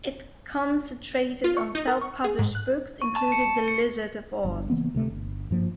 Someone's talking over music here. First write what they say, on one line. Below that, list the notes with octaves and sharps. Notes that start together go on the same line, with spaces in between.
It concentrated on self-published books, including The Lizard of Oz.
F4
C#6
D#4
A#4
C#6
G#4
G#2
F#6
C#6
A5
C#7
C#7
G1 G2
C#3 E3 A#3 B3
D2 C3 A3
G1
G2 F3 A#3